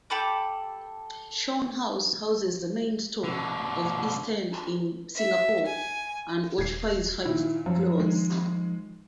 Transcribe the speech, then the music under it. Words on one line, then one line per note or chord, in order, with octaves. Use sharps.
Shaw House houses the main store of Isetan in Singapore, and occupies five floors.
G4 A4 B5 D6
B2 D3
E5
G#5
D#1 G#6 C7
A#2 D#3 E4
F#2 F3
D#3 G#3